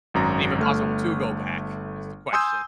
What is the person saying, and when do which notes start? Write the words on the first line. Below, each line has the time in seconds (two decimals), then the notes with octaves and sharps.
Even possible to go back- is the question.
0.14 G#1 F#2 A#5
0.58 G1 A3 F6
2.33 G#5 C6 D#6 E6 G6